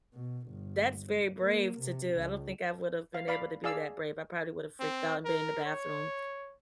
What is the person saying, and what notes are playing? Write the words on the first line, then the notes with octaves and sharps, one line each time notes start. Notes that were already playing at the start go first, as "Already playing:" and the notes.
that's very brave to do, I don't think I would have been able to be that brave, I probably would have freaked out and been in the bathroom,
B2
G1
A#3
C3
C#2
F5
D5 F5 B5
G#4 D5 F5 E6
C4
A#4
C#5